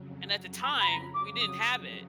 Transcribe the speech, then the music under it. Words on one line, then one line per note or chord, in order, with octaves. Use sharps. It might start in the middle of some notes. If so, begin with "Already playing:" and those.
and at the time we didn't have it.
Already playing: F2 C#3 F#3
B5
B5
A#5
D6
D#6